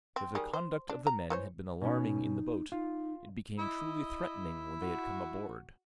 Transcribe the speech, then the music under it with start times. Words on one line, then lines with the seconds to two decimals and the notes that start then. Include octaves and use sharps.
If the conduct of the men had been alarming in the boat, it became truly threatening when they had come aboard.
0.16 C4
0.35 D#3 G3 G#4
0.53 C5
0.89 D4
1.07 A#5
1.30 E3 C5 C#5
1.82 B2 C#4 D#4
2.72 D#4 F4
3.58 E4 D#5
4.80 F#4